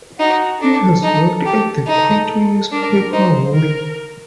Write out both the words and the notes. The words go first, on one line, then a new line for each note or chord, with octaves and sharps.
He has worked at the Quito newspaper "Hoy".
D#4 F#4
D4 A4
D#4 A4
G4
D#4 A4
D4 A#4
D#4 C5
A#4